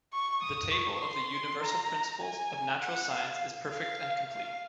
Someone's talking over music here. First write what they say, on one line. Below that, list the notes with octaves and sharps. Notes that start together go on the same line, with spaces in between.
The table of the Universal Principles of Natural Science is perfect and complete.
C#6
D#6
C#6
C6
A#5
G#5
F#5
F5
F5
F5